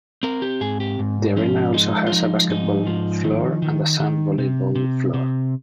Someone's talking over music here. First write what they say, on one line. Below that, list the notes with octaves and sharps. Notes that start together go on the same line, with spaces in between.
The arena also has a basketball floor and a sand volleyball floor.
C4 A#4
G4
G#2 G#4
G4
G#2
F3 C#4
G#3 D#4
F4
F3 D#4
G#2 D#4
F3
D#3
D#3
D#3
C3
C3
C3